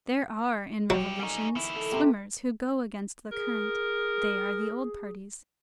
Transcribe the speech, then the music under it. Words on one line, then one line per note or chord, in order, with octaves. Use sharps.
There are, in revolutions, swimmers who go against the current; they are the old parties.
F#3 E4 G4
G3 D#4 G#5 C#6
D#3 E4
A4
C3 C4 G4
G#4 A#4